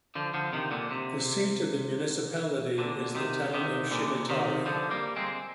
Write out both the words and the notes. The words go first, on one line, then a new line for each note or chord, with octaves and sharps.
The seat of the municipality is the town Schimatari.
D3 F3
D3 F3
C3 D#3
A#2 D3
C3
A#2 D3
C3 D#3
C3 D#3
A#2 D3
C3 D#3
D3 F3
G3 A#3
G#3 C4